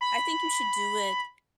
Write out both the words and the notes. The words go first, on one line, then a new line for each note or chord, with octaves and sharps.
I think you should do it,
B5